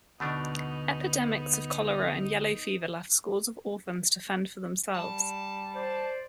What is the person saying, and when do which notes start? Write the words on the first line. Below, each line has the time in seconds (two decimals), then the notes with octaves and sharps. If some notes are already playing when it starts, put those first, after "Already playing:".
Epidemics of cholera, and yellow fever left scores of orphans to fend for themselves.
0.20 D2 B2 A3 B3 D4 D#4
4.95 G3 A5
5.75 C5 D5